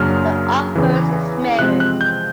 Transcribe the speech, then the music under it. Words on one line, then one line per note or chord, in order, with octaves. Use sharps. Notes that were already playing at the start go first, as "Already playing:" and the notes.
The obverse is mirrored.
Already playing: F#2 C#3 F#3 A#3 D4 F6
E2 C#3 E3
C3 F3 G#3 C4 F#6
F#6
G6